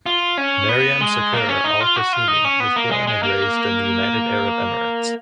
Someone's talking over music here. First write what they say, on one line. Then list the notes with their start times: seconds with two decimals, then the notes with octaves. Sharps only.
Maryam Saqer Al Qasimi was born and raised in the United Arab Emirates.
0.06 F4
0.37 C#4
0.69 B3
1.01 G#3
1.33 A#3
1.49 C#4
1.64 D#4
1.80 F4
1.96 F#4
2.13 F4
2.28 D#4
2.45 C#4
2.60 B3
2.76 A#3
2.91 G#3
3.07 G#3
3.23 A#3